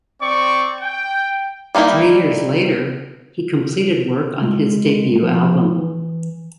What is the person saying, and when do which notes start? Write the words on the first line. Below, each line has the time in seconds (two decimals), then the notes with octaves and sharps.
Three years later, he completed work on his debut album.
0.21 C4 D5 C#6
0.82 G5
1.75 G3 A#3 C4 D#4 E4
4.42 G#3
5.22 F3
5.77 E3